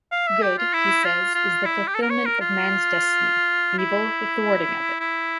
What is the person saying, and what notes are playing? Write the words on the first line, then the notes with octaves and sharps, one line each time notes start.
Good, he says, is the fulfilment of man's destiny, evil the thwarting of it.
F5
E5
G4
F4
E4
F4
F4
E4
G4
A4
A#4
C#5
A#4
F4
E4
E4